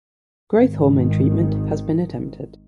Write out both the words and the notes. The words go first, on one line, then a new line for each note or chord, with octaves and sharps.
Growth hormone treatment has been attempted.
G#1 D#3